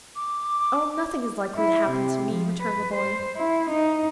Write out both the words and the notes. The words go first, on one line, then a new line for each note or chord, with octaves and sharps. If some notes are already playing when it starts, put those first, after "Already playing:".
'Oh, nothing is likely to happen to me,' returned the boy.
D6
E4
C3
F3
B4
C5
E4
D#4